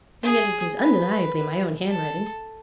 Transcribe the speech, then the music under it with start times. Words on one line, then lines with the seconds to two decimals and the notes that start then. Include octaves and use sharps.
And yet it is undeniably my own handwriting.
0.23 G#4
0.78 B4
1.89 A4